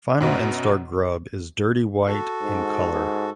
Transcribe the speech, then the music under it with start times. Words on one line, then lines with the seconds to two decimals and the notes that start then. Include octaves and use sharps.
Final instar grub is dirty white in color.
0.21 F#2 B2
2.07 F#4 A4
2.41 G#2
2.92 G#2